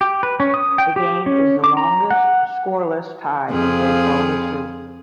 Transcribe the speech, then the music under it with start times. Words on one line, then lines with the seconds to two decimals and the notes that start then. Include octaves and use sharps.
The game is the longest scoreless tie in baseball history.
0.01 G4
0.23 B4
0.40 C#4
0.54 D#6
0.78 G5
0.96 G4
1.26 C#4
1.64 D6
1.77 A#5
2.11 F#5
3.49 F2 F3 G#4